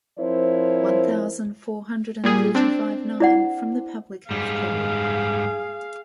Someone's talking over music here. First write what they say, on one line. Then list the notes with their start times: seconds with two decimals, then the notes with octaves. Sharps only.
One thousand four hundred and thirty-five-nine from the Public Health Code.
0.18 F3 C4 E4 A#4 C5 C#5
2.24 A#2 G3 G#4
2.55 C4 D4
3.20 E4 D5 F#5
4.31 G#2 G3 G#4 F5